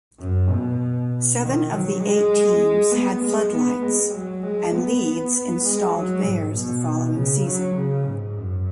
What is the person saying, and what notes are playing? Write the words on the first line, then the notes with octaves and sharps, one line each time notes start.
Seven of the eight teams had floodlights and Leeds installed theirs the following season.
F#2
B2
D#3
F#3
G#3
B3
G#3
B3
G#3
F#3
G#3
B3
G#3
F#3
G#2
B2
C#3
F#3
C#3
G#2
F#2